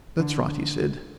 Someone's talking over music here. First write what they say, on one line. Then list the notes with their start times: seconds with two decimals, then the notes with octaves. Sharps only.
"That's right," he said.
0.20 D3